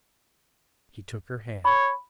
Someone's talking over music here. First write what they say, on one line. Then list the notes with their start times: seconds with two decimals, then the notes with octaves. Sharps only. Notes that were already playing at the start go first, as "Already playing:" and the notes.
He took her hand.
1.65 C#5 B5